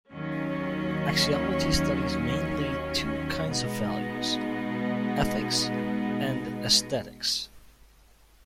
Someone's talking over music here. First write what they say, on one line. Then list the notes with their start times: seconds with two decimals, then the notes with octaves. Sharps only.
Axiology studies mainly two kinds of values: ethics and aesthetics.
0.11 D#2 D#3 F#3 C#4
3.49 B2 G#3 B3 D#4